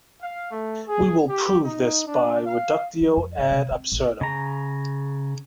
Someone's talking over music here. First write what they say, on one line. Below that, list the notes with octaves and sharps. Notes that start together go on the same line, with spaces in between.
We will prove this by reductio ad absurdum.
F5
A3
G#4
G4
D#4
D4
F5
F3
F2
G#1
C3
C4
A1
C#3 A#5